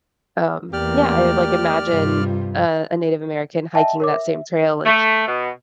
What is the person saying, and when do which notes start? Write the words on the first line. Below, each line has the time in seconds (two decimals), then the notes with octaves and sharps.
um, yeah, I would, like, imagine a a Native American hiking that same trail and
0.73 E2 A3 A#3 G4 D5 F6
1.88 G2 C3 G3 F4
3.75 D#5 E5 G5 A5
4.00 A#4 C#5 D6
4.13 E5
4.85 A3
5.27 B2